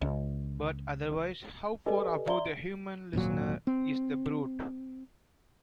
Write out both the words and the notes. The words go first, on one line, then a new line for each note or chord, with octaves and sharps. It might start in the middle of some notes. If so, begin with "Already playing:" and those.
But, otherwise, how far above the human listener is the brute!
C#2
G4 A4 B4 D5 D#5 G#5
D5 E5 A#5 C6 G7
D7
D#1 G#1 A#2 F#3
C4